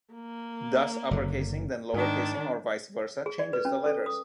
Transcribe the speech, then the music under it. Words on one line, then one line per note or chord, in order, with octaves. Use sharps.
Thus uppercasing then lowercasing, or vice versa, changes the letters.
A#3
F#1 F#2 D3
G#2 D#3 D4
G#4
D5
B4
C#4
A4
D#6